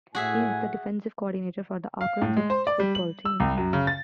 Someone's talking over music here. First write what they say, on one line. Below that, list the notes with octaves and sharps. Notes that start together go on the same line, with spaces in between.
He is the defensive coordinator for the Akron Zips football team.
A2 F#4 G#4 E5 G#5
F5
A2
G#3
C5
D5
G3
F#7
E6
C2
F#2
C#3
A6